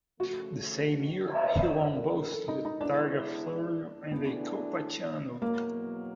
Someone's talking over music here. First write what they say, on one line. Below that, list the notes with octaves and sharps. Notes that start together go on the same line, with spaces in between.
The same year, he won both the Targa Florio and the Coppa Ciano.
C#3 F3 A3 F#4
G2 D3 F3 A3 C#4 B4
A4
A#4
A#4
A4
D#4
D#4
E3 G#3 B3 D4 E4
E3 A3 B3 D4 F#4
E2 B2 F#3 A#3